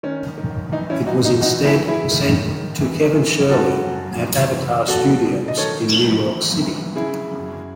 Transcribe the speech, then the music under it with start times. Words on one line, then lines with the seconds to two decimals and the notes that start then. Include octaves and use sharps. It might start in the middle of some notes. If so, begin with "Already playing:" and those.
It was instead sent to Kevin Shirley at Avatar Studios in New York City.
0.03 D#3 C#4
0.38 D#3
0.72 E3 D#4
0.90 C#4 E4
1.06 E3 D#4 F#4
1.25 D#4
1.41 E3 D#4 F#4
1.65 E4 G#4
1.76 E3
1.88 E4 G#4
2.11 D#3
2.46 D#3
2.80 E3
3.15 E3
3.49 C#3 F#4 A4
3.84 F#2
4.19 E3
4.53 E3
4.88 B2 F#4 A4
5.22 B2
5.48 D#5
5.57 D#3 A4 C#5
5.92 D#3
6.27 E3
6.61 E3
6.96 C#3 E4 G#4
7.31 F#2